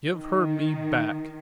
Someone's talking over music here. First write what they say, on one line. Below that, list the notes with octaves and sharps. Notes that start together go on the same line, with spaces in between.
"Give her me back!"
D#3